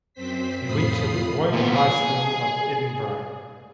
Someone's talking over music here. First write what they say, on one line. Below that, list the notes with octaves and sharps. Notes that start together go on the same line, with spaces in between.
He went to the Royal High School of Edinburgh.
F#2 C4 C5 B6
F2 A2 F4 B5 D#6 C7
A#2 B3
G#4